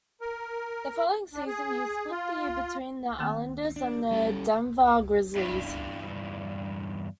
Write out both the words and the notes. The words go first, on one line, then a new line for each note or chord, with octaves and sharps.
The following season, he split the year between the Islanders and the Denver Grizzlies.
A#4
D4
G#4
F4
D#3 A#3 C4
D4
G3 C#4 A4
E2 G2